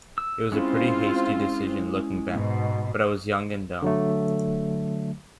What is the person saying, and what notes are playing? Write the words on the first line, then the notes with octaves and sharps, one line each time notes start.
It was a pretty hasty decision, looking back, but I was young and dumb.
E6
G#3 C4 C#4 E4 F4
G#2 B2
D3 F#3 A3